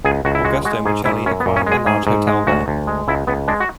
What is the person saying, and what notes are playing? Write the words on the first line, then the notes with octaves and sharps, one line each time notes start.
Augusto Michieli acquired a large hotel there.
C#2 G#4
C#2 F#4
E4
G#3 F#4
G#3 F#4
G#2 G#4
G#2 E4
F#2 C#4
B3
F#2
C#4
G#3
G#4
G#2 G#4
G#2
G#3
D2 F#4
D2
G#3
C#2 E4
C#2 B3
G#3 D4
F#4